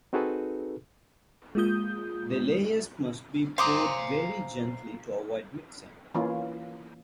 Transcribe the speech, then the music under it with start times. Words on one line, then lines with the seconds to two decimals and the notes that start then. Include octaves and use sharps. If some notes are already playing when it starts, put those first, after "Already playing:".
The layers must be poured very gently to avoid mixing.
0.13 C4 D#4 F#4 G#4 A4 B4
1.55 G#3 A#3 F4 D#6 G6
3.58 C5 F5 G#5 A#5 D6 D#6
6.15 E3 A#3 C#4 F4